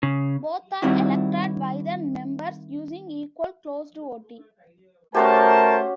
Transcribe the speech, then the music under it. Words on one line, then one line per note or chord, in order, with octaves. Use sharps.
Both are elected by the members, using equal, closed voting.
C#3
D#3 G3 C4 E4 F#4
A3 C#4 F#4 G4 A#4 C5 A5